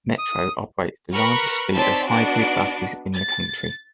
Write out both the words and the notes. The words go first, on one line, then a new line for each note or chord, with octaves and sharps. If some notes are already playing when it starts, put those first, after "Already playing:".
Metro operates the largest fleet of hybrid buses in the country.
D#6
A#4 B4 B5 C#6 F6 F#6
C4 D#4 C#5 D5 A5 B6
B3 D4 D#4 F#4 D5 D7
A6